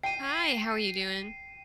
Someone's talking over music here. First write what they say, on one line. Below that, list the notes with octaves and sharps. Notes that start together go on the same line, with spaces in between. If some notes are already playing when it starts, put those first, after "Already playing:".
Hi, how are you doing?
G5 C7 D#7